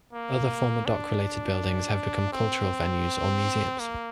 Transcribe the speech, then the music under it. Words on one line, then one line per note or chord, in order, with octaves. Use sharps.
Other former dock related buildings have become cultural venues or museums.
A#3
D4
C4
A#3